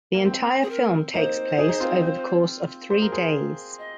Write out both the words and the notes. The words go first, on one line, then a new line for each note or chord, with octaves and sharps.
The entire film takes place over the course of three days.
A#3
C4
G#4
A#4
A#3 D#4 C5
D#4 G#4
D#4
C4 F4
G#4 C5
A#4
G#4 C5
A#4
D#5